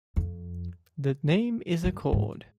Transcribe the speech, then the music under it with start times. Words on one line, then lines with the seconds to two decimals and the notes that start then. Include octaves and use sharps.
The name is a cord.
0.17 F2
1.84 F#2
2.13 G#2